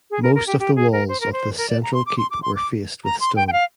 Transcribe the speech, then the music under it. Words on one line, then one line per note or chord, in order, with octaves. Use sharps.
Most of the walls of this central keep were faced with stone.
G#4
A#4
A#4
G4
G4
G#4
A#4
C5
A#4
C5
A#4
D5
A#5
C6
D6
C6
D6
C6
D6
A#5
C6
G5
G5
F5